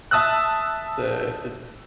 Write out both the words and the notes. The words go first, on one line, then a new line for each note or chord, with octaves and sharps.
the the
E5 A5 D#6 E6 F#6